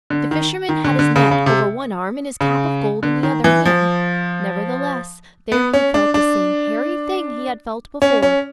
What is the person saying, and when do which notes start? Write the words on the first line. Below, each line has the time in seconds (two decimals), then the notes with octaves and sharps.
The fisherman had his net over one arm and his cap of gold in the other hand; nevertheless, there he felt the same hairy thing he had felt before.
0.10 D3
0.31 D#3
0.69 D#3
0.84 D3
0.99 D3
1.16 C#3
1.31 C#3
1.46 C3
2.41 C#3
3.03 D3
3.23 D#3
3.44 E3
3.65 F3
5.52 B3
5.73 C#4
5.94 D4
6.14 D4
8.02 C#4
8.22 C#4